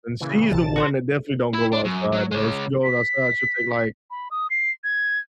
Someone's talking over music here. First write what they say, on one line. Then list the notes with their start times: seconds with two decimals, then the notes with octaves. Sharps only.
and she's the one that definitely don't go outside, and if she goes outside she'll take, like
0.20 A#2 C#3 E3
0.52 A#1 C3 F3 A5 A6
0.76 F#4 B4 C5
1.54 E4
1.73 D4
1.85 F#2
2.13 F#3
2.32 G#3 C#5
2.84 B6
4.11 B5
4.31 D#6
4.50 C7
4.84 G#6